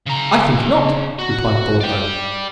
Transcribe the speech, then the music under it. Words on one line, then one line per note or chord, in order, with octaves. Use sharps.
"I think not," replied Thorndyke.
C#3 A#5
F#4
D5 G5